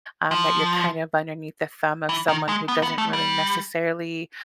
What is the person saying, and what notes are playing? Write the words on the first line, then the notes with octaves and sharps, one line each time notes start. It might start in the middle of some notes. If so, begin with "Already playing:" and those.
um, that you're kind of underneath the thumb of someone who doesn't really, necessarily,
F3
E3
D#3
G#3
B3
B3
A3
G3